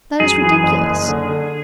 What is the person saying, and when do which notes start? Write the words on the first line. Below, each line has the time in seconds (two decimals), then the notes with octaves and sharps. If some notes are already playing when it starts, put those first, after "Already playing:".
That is ridiculous.
0.20 F#2 G#4
0.42 E3
0.63 F#1
0.86 F#1
1.07 D3
1.29 D3